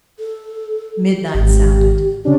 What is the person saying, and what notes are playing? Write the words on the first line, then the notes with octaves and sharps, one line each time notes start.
Midnight sounded.
A4
G#1 G4
C#3 C#4 D4 G4